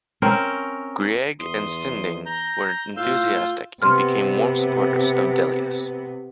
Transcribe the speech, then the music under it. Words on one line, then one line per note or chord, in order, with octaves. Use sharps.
Grieg and Sinding were enthusiastic and became warm supporters of Delius.
C4 C#4 A#4
E2 C6 D#6
A#5 G6
A2 F4 F5 E6 G6
C3 B3 C6 F6